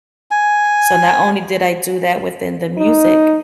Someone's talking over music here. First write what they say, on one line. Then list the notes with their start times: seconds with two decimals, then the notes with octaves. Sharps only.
So, not only did I do that within the music
0.31 G#5
2.77 D#4